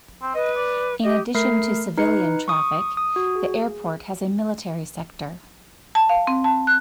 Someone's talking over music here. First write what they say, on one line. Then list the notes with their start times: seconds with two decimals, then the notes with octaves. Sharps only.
In addition to civilian traffic, the airport has a military sector.
0.22 C4
0.35 B4 D#5
0.56 D5
1.04 G4 D#5
1.35 A3 A#4 C7
1.98 D#4 B4 C#7
2.48 C#6 D#6
2.97 D#6
3.16 F#4
3.36 G#4
5.95 A5
6.09 F5
6.27 C4
6.44 A5
6.67 F#6